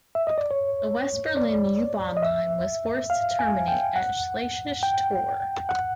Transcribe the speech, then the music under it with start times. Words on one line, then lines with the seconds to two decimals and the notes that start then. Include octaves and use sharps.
The West Berlin U-Bahn line was forced to terminate at Schlesisches Tor.
0.15 E5
0.27 D#5
0.38 D5
0.51 C#5
1.37 D5
2.17 D#5
2.23 E5
3.10 F5
3.39 G#5
3.68 G5
3.96 F#5
4.83 G5
5.69 F#5